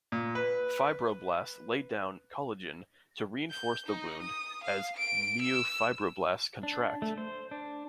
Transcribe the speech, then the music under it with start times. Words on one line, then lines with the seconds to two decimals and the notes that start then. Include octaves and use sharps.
Fibroblasts lay down collagen to reinforce the wound as myofibroblasts contract.
0.12 A#2
0.35 B4
3.51 G6
3.86 D#4
4.22 D#6
4.64 F5
4.97 D7
5.42 E6
6.63 D4
7.02 A3
7.18 C5
7.51 D4